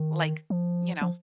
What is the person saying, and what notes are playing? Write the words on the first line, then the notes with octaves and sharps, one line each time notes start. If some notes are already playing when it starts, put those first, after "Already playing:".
like, you know,
Already playing: D#3
F3
F3